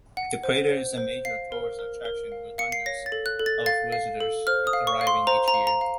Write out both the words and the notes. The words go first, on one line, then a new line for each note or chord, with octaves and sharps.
The crater is a major tourist attraction, with hundreds of visitors arriving each year.
F#5
C5
C5
C5
F5 C7
A#4
A#4
A#4
F5
F5 C#7
C7
C#5 A#6
A6
A4
F#6
A4
A6
F5 A6
F5
A4
C5 F6
D#6
F5
C#6
F5
C6
C5 A#5
A#5
F5
A#5
F5